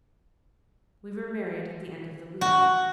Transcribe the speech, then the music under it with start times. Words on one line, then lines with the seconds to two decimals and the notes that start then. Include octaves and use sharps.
We were married at the end of the week.
2.41 F#4